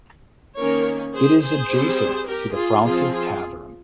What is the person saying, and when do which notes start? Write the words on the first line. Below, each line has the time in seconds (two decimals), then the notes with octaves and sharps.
It is adjacent to the Fraunces Tavern.
0.57 D#3 A#3 C#4 A#4 C#5
1.15 G#4 C5
1.42 G#4 C5
1.71 G3 C4
2.28 G4 A#4
2.56 F4 G#4
2.84 F3 C4 F4 G#4
3.13 F4 G#4